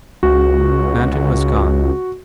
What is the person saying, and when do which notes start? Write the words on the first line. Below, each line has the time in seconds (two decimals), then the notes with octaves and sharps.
Manton was gone.
0.23 C#2 F#4